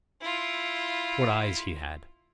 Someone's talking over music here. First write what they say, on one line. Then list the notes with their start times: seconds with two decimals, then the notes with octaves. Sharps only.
What eyes he had!
0.21 E4 F4